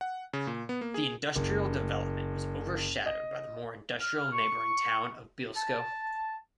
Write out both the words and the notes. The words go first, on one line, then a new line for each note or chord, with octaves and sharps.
The industrial development was overshadowed by the more industrial neighbouring town of Bielsko.
F#5
C#3
A#2
B3
A#3
G#4
F#1
D#5
F6
C#6
A5